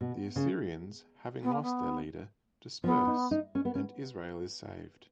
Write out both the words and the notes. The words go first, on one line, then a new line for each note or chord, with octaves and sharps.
The Assyrians, having lost their leader, disperse, and Israel is saved.
B2
C#3
B3
A#3
B3
F3 B3
D#4
D#4
C#4
B3
C#4